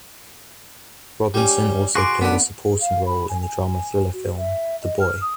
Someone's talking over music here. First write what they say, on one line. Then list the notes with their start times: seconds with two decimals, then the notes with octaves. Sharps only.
Robinson also played a supporting role in the drama thriller film "The Boy".
1.34 G3 C#4
1.95 F#4 G#4 C6 D6
2.21 D3 B3 C#4 D4 F#5
2.69 G#4
2.81 F5
3.06 B5
3.29 G#5
3.41 G#5
4.13 F#4
4.37 E5
4.82 D#5
5.00 F6
5.21 D#6